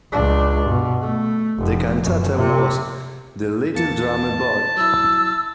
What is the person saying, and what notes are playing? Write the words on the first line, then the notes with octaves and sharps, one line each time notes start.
The cantata was "The Little Drummer Boy".
C#2 D4
G2 B2
A3
F1
F#2
C3
E2 A#3 A5 C#7
F#3 E4 E6